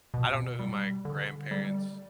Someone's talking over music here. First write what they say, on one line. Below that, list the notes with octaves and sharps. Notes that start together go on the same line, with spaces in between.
I don't know who my grandparents'
B2
G3
D3
G3